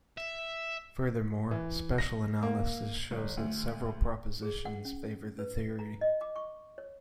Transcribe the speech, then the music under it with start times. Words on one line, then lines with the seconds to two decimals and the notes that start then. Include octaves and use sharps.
Furthermore, special analysis show that several propositions favour the theory.
0.18 E5
1.51 E3
1.98 A#6
2.43 A#3
3.11 G1
3.37 D2
4.42 G#4
4.65 F#5
4.85 C#4
5.39 B4
5.79 A#5
6.01 D#5
6.21 D6
6.36 C#6
6.78 C#5